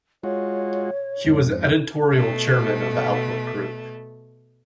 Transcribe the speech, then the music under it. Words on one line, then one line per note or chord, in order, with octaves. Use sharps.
He was editorial chairman of the Outlook Group.
G#3 F4 F#4 C#5
F2 G#2
B2 A3